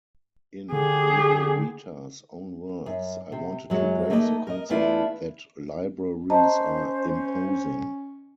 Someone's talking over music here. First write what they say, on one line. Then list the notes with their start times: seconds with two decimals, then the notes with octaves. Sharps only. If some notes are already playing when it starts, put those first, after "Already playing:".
In Legorreta's own words: I wanted to break the concept that libraries are imposing.
0.72 D3 G4 G#4
2.86 F#2
3.32 C3
3.70 F#2 F#3 G#3
4.10 A3 A#3 D#4 A4 B4 D#5
4.47 A#4 D#5
4.70 E2 A3 D4 E4 F4 D5
6.30 C#4 C5 D#5 A5 A#5